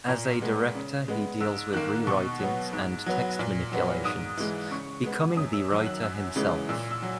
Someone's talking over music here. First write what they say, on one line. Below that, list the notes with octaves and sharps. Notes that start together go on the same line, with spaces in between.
As a director he deals with rewritings and text manipulations, becoming the writer himself.
A#2 A#5
G#3 B3
C#3
G#3 B3
G#2 E6
D#3 A#3 F#6
B2 C#6
F#3 B3
G#2
F#3 B3
A#2
F#3 B3
G#2 D#6
E3 G#3
C#3 C#6
G#3 B3
F#2 D#6
E6
D#3 F#3 E6
F#6
F#2 E6
C#3 E3 G#3
A#2 E6
E6
F#3